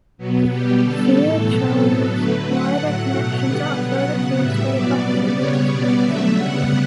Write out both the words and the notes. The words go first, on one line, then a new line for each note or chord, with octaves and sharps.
Fearchar's wider connections are further illustrated by his religious patronage.
B2 F#3 B3
B2 G3 B3 G4
D3 G3 B3 A4
A2 E3 A3 A4
B2 F#3 B3
A2 F#3 B3
D3 F#3 A3 B4
D3 F#3 A3 F#5
A2 F#3 A3 F#5
B2 F#3 A3
D3 G3 B3
B2 F#3 B3 F#5
C#3 F#3 B3
A2 G3 B3 E5
B2 F#3 B3 D5
C#3 G3 B3
C#3 G3 B3 C#5
B2 G3 B3 D5
D3 F#3 A3 E5
C#3 G3 B3 F#5